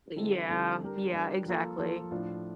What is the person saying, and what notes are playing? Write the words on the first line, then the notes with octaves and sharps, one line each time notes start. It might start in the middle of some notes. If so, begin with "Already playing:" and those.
Yeah, yeah, exactly.
D3 G3 C4 E4 A4
D3 G3 C4 E4 A4
G3 D4 G4 A#4
G3 D4 G4 A#4
F3 A#3 F4 A4
F3 A#3 F4 A4
A2 F3 A3 D4 F4